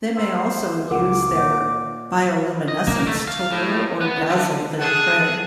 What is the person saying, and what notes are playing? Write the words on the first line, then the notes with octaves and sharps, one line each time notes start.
They may also use their bioluminescence to lure or dazzle their prey.
B3 C5 A#5 E6
C#2 E3 G#4 A#4 F#5 D6
A#2 C#5 E5 F#5
D#5
A#3
A3
F5
A2
B3
D3
G#4 A4 F#5 A5